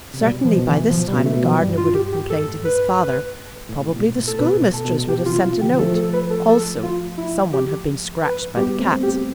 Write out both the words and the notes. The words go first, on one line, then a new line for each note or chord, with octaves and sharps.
Certainly by this time the gardener would have complained to his father, probably the schoolmistress would have sent a note. Also--someone had been scratched by the cat.
C3
B2 G3
F3
B2
E3
A2 F3
G3
B2
A3
B2
F3
G2 G3
F4
G4
G4
A2 A4
B4
A2
A2
B2
A2
A4
B2 B4
A2
A4
B2
G4
C3 E3 F4
F4
D3 F3 G4
F3 A3 A4
A4
B4
A4
A4
F4
E4
G4
B4
G3 B3 G4
A3 C4
G4